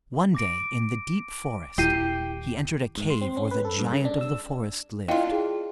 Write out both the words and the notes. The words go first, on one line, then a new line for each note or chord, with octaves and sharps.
One day in the deep forest he entered a cave where the giant of the forest lived.
D6 A#6 D7
D#1 E4 G4 C7 D#7
G#2
C6
C4
C#4
B4
A4
G2
C#3
D4
E6
D4 E4 F4 D#5 F5 G5
G#4